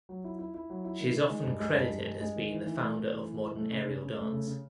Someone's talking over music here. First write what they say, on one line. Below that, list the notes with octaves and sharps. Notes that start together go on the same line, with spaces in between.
She is often credited as being the founder of modern aerial dance.
F#3
E4
E4
E4
F#3
E4
D#3
D#3
G#3
G2
G#3
G2
G2
G#3
G#3
D#3
E3
E3
A3
A3
E3
E3
E3
A3
C#3
C#3
C#3
A3
C#3
C#3